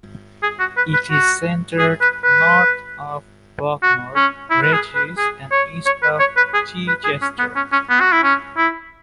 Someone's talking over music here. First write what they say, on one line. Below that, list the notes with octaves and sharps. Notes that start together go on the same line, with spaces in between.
It is centred north of Bognor Regis and east of Chichester.
G#4
F#4
B4
B4
F#4
G#4
B4
B4
F#4
C#4
E4
B4
G#4
B4
G#4
C#5
C#5
B4
C#5
B4
G#4
B4
G#4
C#4
B3
C#4
C#4
B3
F#4
E4
C#4
E4